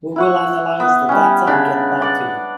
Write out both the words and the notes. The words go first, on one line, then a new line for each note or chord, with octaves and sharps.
We will analyze the data and get back to you.
E4 F#5 C#6
B3
G3 C#4
C#3 D4 B5
D5 F#5